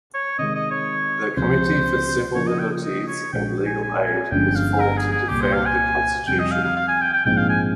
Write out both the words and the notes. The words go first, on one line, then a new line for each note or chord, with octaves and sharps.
The Committee for Civil Liberties and Legal Aid was formed to defend the constitution.
C#5
C3 D#3 G#3 D#5
D#5
C#5
C#2 C3 F3 C5
C#3 F3 A#3 F4 A#4 C#5
D#5
G5
D#5
C#5
A#1 A#2 G#3 G5
G#5
G#5
G#5
G1 G2 F3 G#3 C#4 G5
F5
A#4
G#4
G#4
C2 A#2 G3 G4
C5
F5
G#5
F2 C3 G3 G5
D#5
F5
F5
F5
G#5
G5
G5
A#1 G#2 F3 C4 G5
F5
G#5